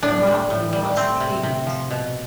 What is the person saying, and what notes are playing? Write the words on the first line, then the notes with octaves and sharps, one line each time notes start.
Magno was killed.
A2 D4
G3
A2
G3
A3 C4
C3
C3
F3
B2